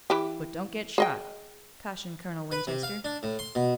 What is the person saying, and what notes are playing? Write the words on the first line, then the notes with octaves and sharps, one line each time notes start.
"But don't get shot," cautioned Colonel Winchester.
E3 G4
G#4 D#5 G5
B4
C3
F5
D4
A2
C6
B2